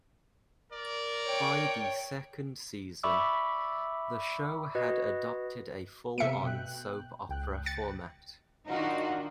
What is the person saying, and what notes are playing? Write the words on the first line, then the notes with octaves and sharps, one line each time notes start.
By the second season, the show had adopted a full-on soap opera format.
A#4 D5
C#5 G5
D5 E5 B5 C#6 D6 E6
F#4 B4 D#5
C3 A3 B3 E5 C#7 D7
B2 G5 F#6
C#2 G5 F#6
A6 C#7
D#3 D4 D#4 F4 F#4